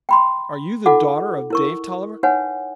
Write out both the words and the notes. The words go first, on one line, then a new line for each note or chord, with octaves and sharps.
"Are you the daughter of Dave Tolliver?"
G5 B5 C6
D#4 F4 A4 F#5 D6
E4 A#4 C#6
D#4 B4 C#5 F#5 G#5